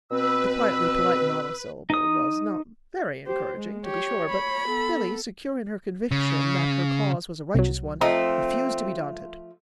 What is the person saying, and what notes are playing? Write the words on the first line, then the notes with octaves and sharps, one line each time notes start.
The quietly polite monosyllable was not very encouraging, to be sure; but Billy, secure in her conviction that her cause was a righteous one, refused to be daunted.
B2 C4 B4 E6
D#4 D#6
G4 C5
G#3
G4 C#5
B5
B3 A4
C#3
C2 F#3
F3 A3 C4 F4 D#5 A#5